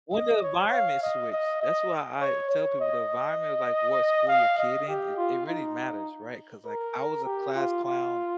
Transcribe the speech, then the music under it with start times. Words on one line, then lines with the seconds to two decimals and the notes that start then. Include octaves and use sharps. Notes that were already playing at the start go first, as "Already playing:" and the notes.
When the environment switched, that's why I tell people, "The environment of, like, what school your kid in, it it really matters." Right, 'cause, like, I was a class clown
0.13 D#5
0.43 C#5
0.72 F5
1.02 D#5
1.32 D#5
1.62 D#5
2.20 C#5
2.50 C#5
2.81 D#5
4.28 F5
4.58 D#5
4.88 G4
5.17 F4
5.47 D#4
6.66 A#4
7.25 G4
7.55 F4
7.84 F4